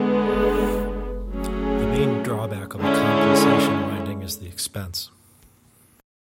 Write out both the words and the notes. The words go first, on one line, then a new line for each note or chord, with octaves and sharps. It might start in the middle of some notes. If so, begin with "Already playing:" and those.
The main drawback of a compensation winding is the expense.
Already playing: D3 G#3 B3
F#3 A3 C#4 G#4
D3 G#3 C#4 E4